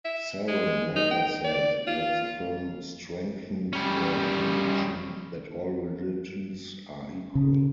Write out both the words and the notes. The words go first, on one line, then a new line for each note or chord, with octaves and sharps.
Saran later said that the film strengthened her conviction that all religions are equal.
E5
G#3
D#4
G5
D5
F4
G3 C#4
C#3